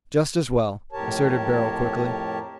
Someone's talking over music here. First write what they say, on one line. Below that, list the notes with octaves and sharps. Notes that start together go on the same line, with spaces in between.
"Just as well," asserted Beryl, quickly.
F2 A2 G4 A#4 C#5 A5